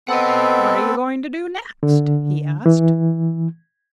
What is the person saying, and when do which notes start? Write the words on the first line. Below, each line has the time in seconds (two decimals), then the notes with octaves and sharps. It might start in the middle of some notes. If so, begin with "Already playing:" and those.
"What are you going to do next?" he asked.
0.08 B3 C4 A4 D#5 F#5
1.83 D3
2.66 E3